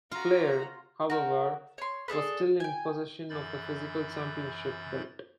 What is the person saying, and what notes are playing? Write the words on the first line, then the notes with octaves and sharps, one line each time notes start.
Flair, however, was still in possession of the physical championship belt.
F4 F#4 A#5
F#4 A#4 G5
C#5 C6
D4 G#4 A4 B4
G5 G#5
F#2 E3 B5 G6 A6